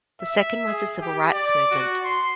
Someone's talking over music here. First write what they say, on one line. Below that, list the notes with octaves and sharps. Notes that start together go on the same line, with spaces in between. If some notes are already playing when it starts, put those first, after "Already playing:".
The second was the civil rights movement.
E5
G#4
G4
D5
F#4
C6